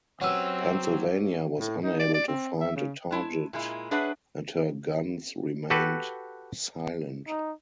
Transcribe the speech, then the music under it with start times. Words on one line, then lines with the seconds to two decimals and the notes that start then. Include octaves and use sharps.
"Pennsylvania" was unable to find a target and her guns remained silent.
0.21 F#3 C4 C#4 G4 B4 F#5 E6
1.60 A2
1.83 D#4
1.99 D5
2.14 D5
2.28 C4
2.61 E5
2.76 C#3
3.11 G#3 E4 A5
3.53 A#2 G#3 E4
3.91 D4 G#4 B4 C#5 E5 F#5
5.70 F#4 G4 A4 B4
7.28 D#4